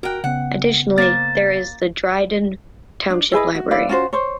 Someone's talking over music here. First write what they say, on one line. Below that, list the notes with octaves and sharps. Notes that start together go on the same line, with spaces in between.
Additionally there is the Dryden Township Library.
F#4 A#4 G5 F#6
C#3 B3 F#5
A#3 C5 A6
D4
E4 G#4 B4 D#5
F#4
E4 B4 D5 F5
C#4 F4 F#4 C5
C5 C#5